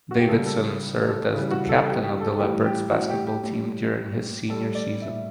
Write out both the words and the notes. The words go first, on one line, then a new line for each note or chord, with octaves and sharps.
Davidson served as the captain of the Leopards basketball team during his senior season.
F#4
G4
C#3 G3 A4
A4
A4
C#3 E3 G3
F#4
A4
G4
G4
A4
A2 E3 G3 G4
G4
F#4
G4
G4
A2 G3
A2 G3 A4
D5
E5